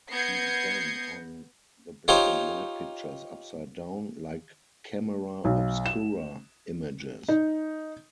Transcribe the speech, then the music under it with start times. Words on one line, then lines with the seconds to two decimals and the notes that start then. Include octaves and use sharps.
He then hung the black-and-white pictures upside down, like camera obscura images.
0.11 B3 G6 G#6 A#6 C7 C#7
2.08 D#4 F4 G4 C5 C#5
5.45 B1
5.86 E7
7.29 D#4